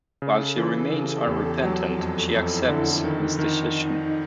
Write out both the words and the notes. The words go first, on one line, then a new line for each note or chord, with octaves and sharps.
While she remains unrepentant, she accepts his decision.
C#3 A4
E3
C#3 G4
E2
F#3 A4
F2
F2 E4
D3
D#3 D#4
D#3